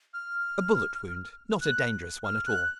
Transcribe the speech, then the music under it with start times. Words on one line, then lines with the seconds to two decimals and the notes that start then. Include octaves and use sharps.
"A bullet wound--not a dangerous one at all."
0.13 F6
1.61 F#6
2.24 F6
2.46 F#6